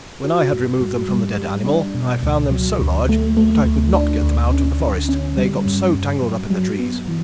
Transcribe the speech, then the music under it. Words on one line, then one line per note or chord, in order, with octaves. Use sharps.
When I had removed them from the dead animal, I found them so large that I could not get them out of the forest, they got so tangled up in the trees.
F#4
G2
G2
G3
G3
D4
B2
C#2
F#3
D2
A3
A3
D2
D4
D2
C#4
D3
C#4
G3
G2
G2
F#3
F#3
B3
E3